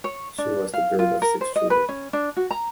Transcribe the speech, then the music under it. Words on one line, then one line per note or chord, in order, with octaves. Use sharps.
She was the third of six children.
C#5
D4
F5
F4
A#4
C5
D#5
B4
C#4
D4
F#4
A#5